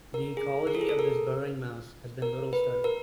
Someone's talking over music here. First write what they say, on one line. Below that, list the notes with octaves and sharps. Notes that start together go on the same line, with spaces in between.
The ecology of this burrowing mouse has been little studied.
A#4
G#4
A#4
A4
G#4
A4
A#4
A#4
B4
A#4